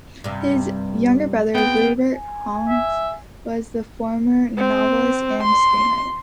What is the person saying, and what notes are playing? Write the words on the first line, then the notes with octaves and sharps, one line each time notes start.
His younger brother, Rupert Hughes, was the famed novelist and screenwriter.
G2 C3
G#3 B3 C4 G5
G#5
E5
C4
C6